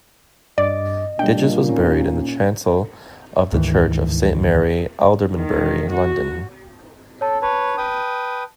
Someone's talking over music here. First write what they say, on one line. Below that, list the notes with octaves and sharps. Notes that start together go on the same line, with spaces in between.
Digges was buried in the chancel of the church of Saint Mary Aldermanbury, London.
G2 D5 D#5 D6 A6
A#2 G3 D4 G5
C#4 D#4
D2 G#2 D#3 E3
D#3
F#4
A4 C#5 A5
B4 C#5 A5
B4 G5 D#6